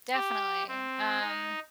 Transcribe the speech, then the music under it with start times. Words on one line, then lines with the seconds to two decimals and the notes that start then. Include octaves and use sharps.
Definitely, um,
0.13 G4
0.68 C4
1.21 D#4